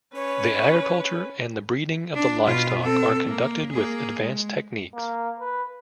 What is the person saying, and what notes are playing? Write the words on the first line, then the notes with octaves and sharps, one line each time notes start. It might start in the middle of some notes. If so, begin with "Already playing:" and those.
The agriculture and the breeding of the livestock are conducted with advanced techniques.
C#4 B4 C#5
D4
B2 F4
C4 A4
A#3
A#3 G#4
G#3
A#3
B4